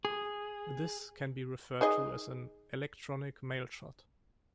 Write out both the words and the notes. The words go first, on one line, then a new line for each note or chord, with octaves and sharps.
This can be referred to as an "electronic mailshot".
G#4
D#4 G#4 D#5